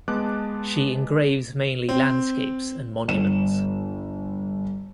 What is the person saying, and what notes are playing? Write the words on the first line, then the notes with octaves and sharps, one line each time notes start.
She engraves mainly landscapes and monuments.
G#3 B3 A5 D6 F#6
C4
G1 E7